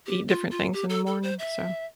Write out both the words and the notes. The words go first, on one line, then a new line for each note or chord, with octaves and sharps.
eat different things in the morning. So.
G4
F4
F4
G4
A4
A4
C5
E5